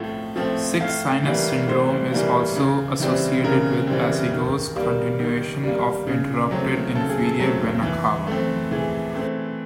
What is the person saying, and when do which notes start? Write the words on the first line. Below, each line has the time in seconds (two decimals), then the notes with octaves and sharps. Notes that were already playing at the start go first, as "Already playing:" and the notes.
Sick sinus syndrome is also associated with azygos continuation of interrupted inferior vena cava.
Already playing: A2 F3 A3 C4
0.36 F3 A3 C4
0.80 A2 F5
1.24 E3 G3 A#3
1.67 A2 C5
2.12 E3 G3 A#3
2.56 C#3
3.00 E3 G3 C4
3.44 C#3 A#4
3.87 E3 G3 C4
4.32 D#3
4.76 G3 A#3
5.20 D#3
5.63 G3 A#3
6.07 C#3
6.51 F#3 A3 C4
6.95 C#3 A4
7.09 G#4
7.23 A4
7.39 F#3 A3 C4
7.83 E3
8.27 A3 C4
8.71 E3 G#4
9.15 A3 C4